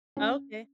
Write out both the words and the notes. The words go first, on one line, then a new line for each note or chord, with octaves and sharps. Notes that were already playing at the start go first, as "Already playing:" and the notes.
Oh, okay.
C#4